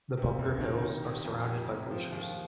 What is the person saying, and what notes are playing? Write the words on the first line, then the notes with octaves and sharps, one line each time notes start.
The Bunger Hills are surrounded by glaciers.
C3
F1
D#3
D#3
C3
F2
C3
C3
F3
D#2